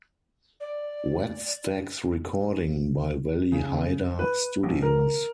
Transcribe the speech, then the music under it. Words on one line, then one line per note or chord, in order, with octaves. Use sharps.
Wattstax recording by Wally Heider Studios.
D5
C#3
B4
A#1
A#4